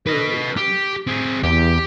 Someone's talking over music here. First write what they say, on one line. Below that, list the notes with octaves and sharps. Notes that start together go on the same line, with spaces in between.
Ooh, yum.
B4 D#5
G4
C4 G#4
E2 G4